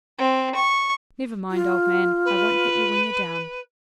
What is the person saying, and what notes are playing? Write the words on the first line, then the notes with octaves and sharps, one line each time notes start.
Never mind, old man, I won't hit you when you're down.
C4
C#6
F4
B4